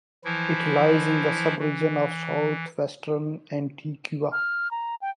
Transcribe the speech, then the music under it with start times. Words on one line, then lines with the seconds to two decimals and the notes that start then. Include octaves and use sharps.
It lies in the subregion of Southwestern Antioquia.
0.25 E3 F3 E4
1.59 E3
4.32 F6
4.71 A#5
5.02 G5